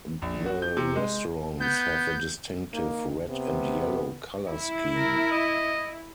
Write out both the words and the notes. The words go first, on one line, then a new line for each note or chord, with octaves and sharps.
The restaurants have a distinctive red-and-yellow color scheme.
A#1
F#4
G6
C3
G#3
B3 G6
A#3 D#4
C3 B3
E4
A#4
D#5